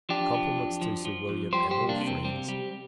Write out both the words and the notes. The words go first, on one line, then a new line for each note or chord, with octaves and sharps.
Compliments to Sir William, and all friends.
F3 D4 G4
F3
F2
F3
F3
F2
G3 G4 C5
G4 C5
C2
A#3 D4
C3
C4
G3 C4
G3